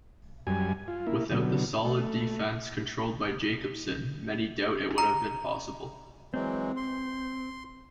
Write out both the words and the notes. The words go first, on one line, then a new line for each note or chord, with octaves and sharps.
Without the solid defence controlled by Jakobsson, many doubt it would have been possible.
F#2 G3 G#5
F4
A#3 E4
B2 D3 F#3
A3
A#5
E3 F#3 G#3 C4
C6